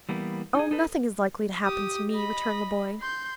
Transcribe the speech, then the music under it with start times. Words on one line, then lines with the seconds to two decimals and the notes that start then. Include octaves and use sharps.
'Oh, nothing is likely to happen to me,' returned the boy.
0.09 E3 G3 A#3 B3
0.55 D#4 F4 G#4
0.71 D#4 A4 B4
1.65 G4 D#6
2.11 D#5 B5
3.00 C6 G6